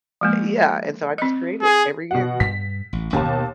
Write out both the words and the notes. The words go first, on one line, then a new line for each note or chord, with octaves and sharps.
Yeah, and so I just create it, every year.
F3 G#3 A#3
C4 D#5
G#4
B2 F#5
G2 B6
A1
E1 D#2 A2 C#4 G4 A5
B2